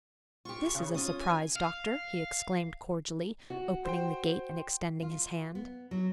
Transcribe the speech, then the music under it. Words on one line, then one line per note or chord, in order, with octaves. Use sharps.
"This is a surprise, Doctor," he exclaimed cordially, opening the gate and extending his hand.
F4 G4 C#6
C#3
C#4 F4 D#6
G#5
F5
F#4
C5 G5
F4
B3
F#3